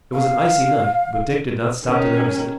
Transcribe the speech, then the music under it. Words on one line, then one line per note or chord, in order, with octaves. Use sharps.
It was an icy night, but Dick did not stop to notice it.
F5
D#3 C#4